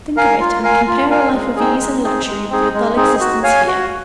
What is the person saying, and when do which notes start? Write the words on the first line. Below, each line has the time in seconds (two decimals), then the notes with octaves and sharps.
Think of it, and compare a life of ease and luxury with your dull existence here.
0.17 A#4 F5 G#5
0.40 F4
0.63 A#4 F5 G#5
0.87 F4
1.10 A#4 F5 G#5
1.33 G#3
1.56 C4 D#4 G#4
1.80 G#3
2.03 C4 D#4 G#4
2.27 G#3
2.50 C4 D#4 G#4
2.74 G#3
2.96 C4 D#4 G#4
3.21 F#4
3.43 C#5 F5 G#5
3.67 F#4